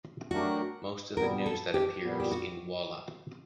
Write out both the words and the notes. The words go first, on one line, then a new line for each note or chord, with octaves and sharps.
Most of news that appears in Walla!
F#3 A3 D4 F#4 G4 A#4
A#2 G3 B3 A#4
A4
G4
A#2 G3 B3
G4
F#4